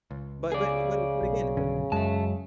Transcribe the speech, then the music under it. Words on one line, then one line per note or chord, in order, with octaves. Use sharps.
But but but a but again, it's like
C#2
C#3 G#4 D5
B1
G2 D3 C#4
F#2 G#3 E5 A5